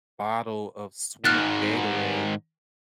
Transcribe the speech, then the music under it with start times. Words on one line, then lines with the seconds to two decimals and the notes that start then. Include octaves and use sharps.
bottle of sweet Gatorade,
1.25 G#2 D#3 F6 F#6 A6